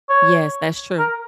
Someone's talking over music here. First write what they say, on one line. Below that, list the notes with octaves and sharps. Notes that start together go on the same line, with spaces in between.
Yes, that's true.
C#5
A#4